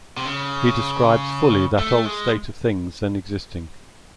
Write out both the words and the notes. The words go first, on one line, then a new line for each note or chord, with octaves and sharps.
He describes fully that old state of things then existing.
C3
C#3
A3
G#3